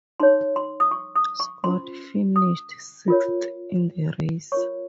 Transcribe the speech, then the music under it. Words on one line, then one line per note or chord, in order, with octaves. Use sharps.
Scott finished sixth in the race.
D#4 G#4 C#5 C6
C6
D#6
C#6
D#6
C#6
C#4 F4 C5 C6
D#6
F4 A#4 C#5
F4 A#4 C#5 C#6